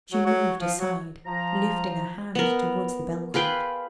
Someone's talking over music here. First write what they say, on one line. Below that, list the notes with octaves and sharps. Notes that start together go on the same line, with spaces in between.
She moved aside, lifting a hand toward the bell-cord.
F#3
F#3
F3
F#3
F3 A#5
B3 A#4
F4 G#4 B4 G5